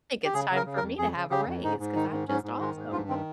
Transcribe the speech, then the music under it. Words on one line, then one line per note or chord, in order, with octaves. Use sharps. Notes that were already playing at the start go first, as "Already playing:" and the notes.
think it's time for me to have a raise 'cause I'm just awesome."
G4
C#3 G#4
C#3
A#4
C#3
A#4
F2
F2 G#4
C#3
C#3 G4
F2
G#2 D#4
G#2
D#3 D#4
G#2
G#2 C#4
G#2
D#3 G#3
G#2
G2 F4
D#3 C4